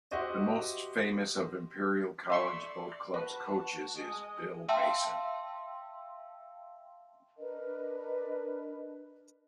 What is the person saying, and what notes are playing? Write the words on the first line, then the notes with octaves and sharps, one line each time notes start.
The most famous of Imperial College Boat Club's coaches is Bill Mason.
F#4 G4 C5 D#5 E5
D5 E5 C6 C#6
F#4 B4 A5
G#3 D#5
E5 F5 G5 A5 C6 E6
D4 A#4 B4 D#5